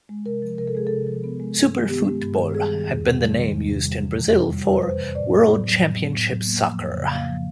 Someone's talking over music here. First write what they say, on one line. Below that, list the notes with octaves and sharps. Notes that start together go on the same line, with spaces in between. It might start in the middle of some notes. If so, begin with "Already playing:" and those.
"Super Futebol" had been the name used in Brazil for "World Championship Soccer".
G#3
C3 A#4
F3
C3 A#4
A4
G#3 G#4
C3 A4
F3
B3
G#3
G2
D#3
B3 G4
G#3
G2
D#3
G3 G#4
D#3
E2
C3
G3
D#3
E2
C3
G3
E3
F2
C3
G3
E3
B4
F2 C5
C3
A2 D5
B3
A2
F#3
A2
B3
A2
F#3
A#3
F3
F2
C#3
A#3 F5
F3